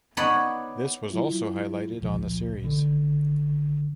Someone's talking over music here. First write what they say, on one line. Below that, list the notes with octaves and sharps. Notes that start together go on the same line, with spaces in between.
This was also highlighted on the series.
B3 D#4 C#5 D5 F#5 B5
F#3 E4 F4
G1 C#2 A#2 F3
A1 D3